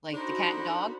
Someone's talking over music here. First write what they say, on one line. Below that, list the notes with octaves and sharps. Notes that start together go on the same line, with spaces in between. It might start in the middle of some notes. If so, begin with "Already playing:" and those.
like the cat and dog,
D4 D#4 F#4 A4 C5 F#5 B5